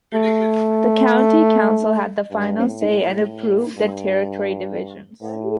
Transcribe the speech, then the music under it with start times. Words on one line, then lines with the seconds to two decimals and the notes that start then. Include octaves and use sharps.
The County Council had the final say and approved the territory divisions.
0.14 A3
2.31 G2
2.67 A2
3.03 A2
3.76 G2
5.21 A2